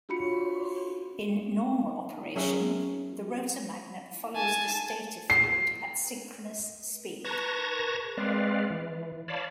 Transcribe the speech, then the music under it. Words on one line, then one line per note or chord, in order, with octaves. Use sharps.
In normal operation the rotor magnet follows the stator field at synchronous speed.
D4 F4 F#4 B5 C#7
F#3 C#4 G#4 A#4 E5
G#5 A5
C7
B4 A5 A#5 C#6 G#6 A#6
G#3 C4 B4 D5 F5
E3
C#5 D5 F5 A5 B5